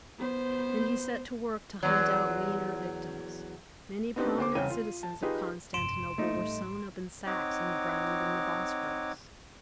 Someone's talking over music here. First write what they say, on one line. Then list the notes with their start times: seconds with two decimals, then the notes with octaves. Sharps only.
Then he set to work to hunt out meaner victims: many prominent citizens of Constantinople were sown up in sacks and drowned in the Bosphorus.
0.18 B3 C5
1.83 E2 F#3
4.16 B3 C4 D4 D#4 G4 B4
4.38 D2 C5 D6
4.55 E1 C2 C#3 C#5 G5 D#7
4.70 F4
5.03 A5
5.23 D#4 F4 G4 G#4 B4
5.74 F1 A#1 G2 C6 D7 E7
6.18 A3 A#3 D#4
6.35 A1 G3
7.26 C4 D#4 C#5 D#5 F#5 D6